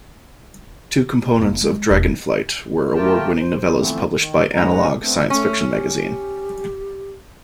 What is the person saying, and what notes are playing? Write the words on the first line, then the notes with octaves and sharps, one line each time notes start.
Two components of "Dragonflight" were award-winning novellas published by "Analog" science fiction magazine.
F1 A#3
G#3
E1
A3 F4 G4 A#4 G5 A5
C5
D3 E3 F3 A3 B3 C4
D#3
G#2 G#3 C#4 B4 F#5 A#5
A3 B3 C4 D4
A3 C#4
G4